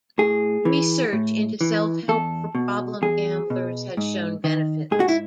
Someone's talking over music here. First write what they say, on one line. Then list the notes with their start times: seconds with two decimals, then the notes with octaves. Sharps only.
Research into self-help for problem gamblers has shown benefits.
0.18 A2 G#4
0.65 E3
1.13 A2
1.61 E3
2.08 E2 A4
2.55 B2
3.02 E2 G#4
3.50 B2
3.97 G#2
4.44 D#3
4.91 G#2 G#4
5.00 F#4
5.09 E4